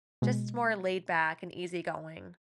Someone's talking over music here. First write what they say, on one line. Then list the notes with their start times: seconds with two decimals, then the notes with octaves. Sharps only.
just more laid back and easy-going.
0.22 B2 G#3